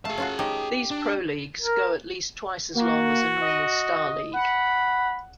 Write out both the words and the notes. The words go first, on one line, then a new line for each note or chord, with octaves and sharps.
These pro leagues go at least twice as long as a normal Starleague.
A3 G#4 F5 A5
C#4 F4 F#4
C#4 D#4 G4
D4
A#4
A#3 F#4
D#5
F#5 B5